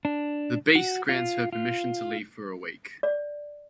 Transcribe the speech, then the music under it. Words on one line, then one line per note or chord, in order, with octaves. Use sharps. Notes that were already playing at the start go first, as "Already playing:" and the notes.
The Beast grants her permission to leave for a week.
D4
F#4
F4
F4
D5